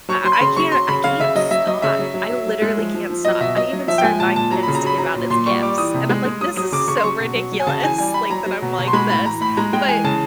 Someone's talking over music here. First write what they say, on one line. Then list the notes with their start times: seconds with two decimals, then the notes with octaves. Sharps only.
I I can't I can't stop. I literally can't stop. I even started buying pins to give out as gifts and I'm like this is so ridiculous, like, that I'm like this. But
0.09 F#3 C#6
0.24 F#3 C6
0.33 B5
0.41 C#3 C6
0.56 F#3 C#6
0.72 F#3 C6
0.88 C#3 B5
1.04 C#3 F5
1.20 C#3 E5
1.35 F#3 D#5
1.51 F#3 E5
1.67 F#3 D#5
1.82 C#3 E5
1.99 F#3
2.14 F#3
2.30 F#3
2.47 F#3
2.62 G#3
2.78 F3
2.94 F3
3.10 F3
3.25 F#3 D#5
3.40 B2 E5
3.56 F#3 D#5
3.73 F#3
3.88 F3 E5
3.98 G5
4.03 G#3 G#5
4.20 A#2 A5
4.36 A#2 A5
4.51 F#3 A#5
4.63 C#3 B5
4.75 A#5
4.83 F#3 B5
4.98 F#3 A#5
5.15 A#2
5.30 A#2 C6
5.46 G3 C#6
5.62 G3 D6
5.78 E3 D#6
5.94 C3
6.09 G#3
6.25 G#3
6.41 F#3 D#6
6.57 F#3 D#6
6.72 C#3 D6
6.88 C#3 C#6
6.97 C6
7.04 F#3 C#6
7.20 B2
7.35 F#3
7.52 F#3
7.60 G#5
7.67 C#3 A5
7.83 E3 G#5
7.98 G3 G#5
8.14 G3 B5
8.30 F#3 A#5
8.46 F#3
8.62 B2
8.78 B2
8.87 C6
8.93 G#3 B5
9.10 A2 B5
9.25 E3 A#5
9.41 A2 B5
9.57 G#3 A#5
9.73 G#3 G5
9.88 E3 G#5
10.04 C#3 A5